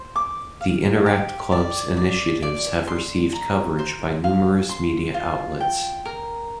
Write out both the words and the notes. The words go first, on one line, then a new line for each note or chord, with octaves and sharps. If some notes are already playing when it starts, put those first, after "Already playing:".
The Interact Club's initiatives have received coverage by numerous media outlets.
Already playing: C5
D6
F5
G4
D5
D5
D5
C6
A#5
C5
F5
C6
F4
G5
A#4